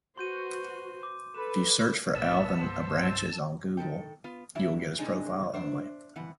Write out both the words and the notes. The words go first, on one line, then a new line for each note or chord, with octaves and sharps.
If you search for Alvyn Abranches on Google, you will get his profile only.
F#4 B4 C5 C6 G6 D#7
D6
A4 B4 E7
B1 A2 B3 A5 E6
C2 G2 C5
D#3 E3 A4 G5
B3 F4
E3 F#3 G3 D4 E4 E5
A2 C3 G#3 D4 D#4 G#4
D4 C5 E5
F2 E3 B3 F#5